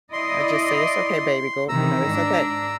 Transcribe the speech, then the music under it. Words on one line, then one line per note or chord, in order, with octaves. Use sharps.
I just say, "it's okay, baby, go you know, it's okay.
E4 D5 D#5 C6
C3 D#3 E3 A#5 E6
G#2 D4